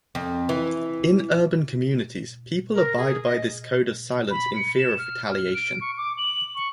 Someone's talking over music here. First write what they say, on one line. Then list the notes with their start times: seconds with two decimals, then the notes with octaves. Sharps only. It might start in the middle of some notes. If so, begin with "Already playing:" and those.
In urban communities, people abide by this code of silence in fear of retaliation.
0.15 F2
0.49 E3
2.74 A#4
2.96 G#4
3.25 D#5
4.31 B5
4.56 C#7
4.78 E7
4.98 F6
5.31 F6
5.54 D7
5.81 C#6
5.98 D6
6.18 F#7
6.55 C#6